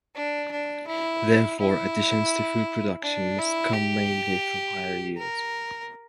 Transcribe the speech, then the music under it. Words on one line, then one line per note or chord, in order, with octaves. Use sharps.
Therefore, additions to food production must come mainly from higher yields.
D4
D4
E4
E4
D4
E4
G4
A#4